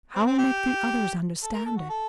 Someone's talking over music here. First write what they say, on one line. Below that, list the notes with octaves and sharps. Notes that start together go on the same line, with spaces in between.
How make the others understand it?
C4
C4
G4
A4
A#4
A4
F#4
A4